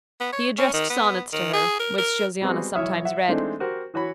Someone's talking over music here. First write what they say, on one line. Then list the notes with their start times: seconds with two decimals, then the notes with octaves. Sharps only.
He addressed sonnets to her, which Josiana sometimes read.
0.21 B3
0.33 C#5
0.58 C#4
0.74 D#3
0.90 B3
1.33 D#3
1.53 G#4
1.80 A#4
1.98 A#4
2.41 G3 G#3 B3 C4 F#4 G#4
2.74 B1 E3 C#5 E5 D#6 F6
3.05 E5 F#5
3.28 E3 G#3 A3 C4 D4 D#4
3.60 F#4 G4 A#4 C5
3.94 E3 F#4 C#5 B5